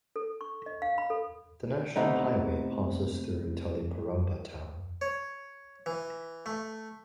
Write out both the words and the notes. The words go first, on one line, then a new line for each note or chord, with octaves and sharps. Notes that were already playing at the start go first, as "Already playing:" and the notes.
The national highway passes through Taliparamba town.
A4
C#6
D#5
F5
B5
A4
C3 A3 B3 D#4
C#5
E3
A3